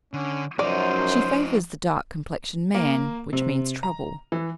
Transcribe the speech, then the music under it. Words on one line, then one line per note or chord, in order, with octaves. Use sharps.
She favors the dark complexioned man, which means trouble.
D3 C#4
F#2 F3 D#4 C5 D5
A#3
C3
A#5
E3